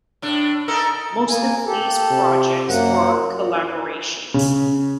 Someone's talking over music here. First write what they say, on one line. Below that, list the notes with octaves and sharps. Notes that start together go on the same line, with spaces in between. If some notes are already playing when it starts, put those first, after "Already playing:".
Most of these projects are collaborations.
A2 D4
D#4 A4 A#4
A#3 G#5
G4 A4
C3
F#2 A#3 F#5
C#3